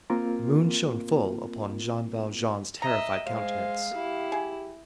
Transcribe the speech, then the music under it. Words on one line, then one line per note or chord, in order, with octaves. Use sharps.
The moon shone full upon Jean Valjean's terrified countenance.
A#3 C4 F4 A#4
D#5 E5 A#5
G#3 C5 F5
E4 G4
G#4